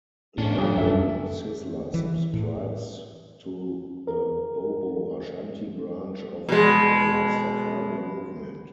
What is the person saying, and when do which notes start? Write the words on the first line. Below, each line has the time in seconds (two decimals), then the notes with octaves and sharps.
Like them Sizzla subscribes to the Bobo Ashanti branch of the Rastafari movement.
0.38 A2 C#4 D4
0.58 F2 G3
0.78 F#2 A4 E5
1.94 E3
2.34 A2
4.07 A#4
6.49 B2 G#3